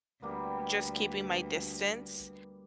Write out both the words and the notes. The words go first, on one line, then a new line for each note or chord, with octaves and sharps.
just keeping my distance.
D2 G3 A#3 B3